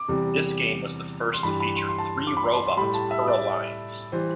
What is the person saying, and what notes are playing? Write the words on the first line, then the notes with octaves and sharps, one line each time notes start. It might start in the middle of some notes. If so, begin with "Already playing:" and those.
This game was the first to feature three robots per alliance.
Already playing: D6
E2 C3 G3
C6
G2 E3 G3 B5
B5
C6
C6
A5
D6
B5
C6
C6
A2 G3 B5
A5
E5
D5
D5
E3 G3 C5